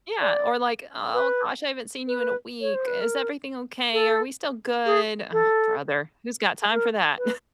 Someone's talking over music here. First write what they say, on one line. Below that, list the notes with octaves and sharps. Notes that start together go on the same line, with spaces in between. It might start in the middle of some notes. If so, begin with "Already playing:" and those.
yeah, or like, "Oh gosh, I haven't seen you in a week is everything okay? Are we still good?" Ugh, brother, who's got time for that?
D5
B4
B4
C#5
C5
B4
A#4
A4
G#4
A4
A#4
B4